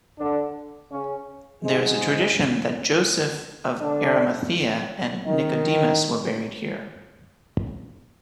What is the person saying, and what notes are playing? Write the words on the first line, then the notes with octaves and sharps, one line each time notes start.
There is a tradition that Joseph of Arimathea and Nicodemus were buried here.
D3 D4
C#3 C#4
G#2 G#3
D3 D4
D#3 D#4